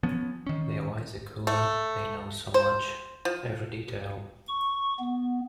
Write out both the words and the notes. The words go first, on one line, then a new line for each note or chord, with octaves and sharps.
They are wiser, cooler, they know so much, every detail.
F3 B3 C#4
D#3 C#4
A3
C5
F3
C#6
B3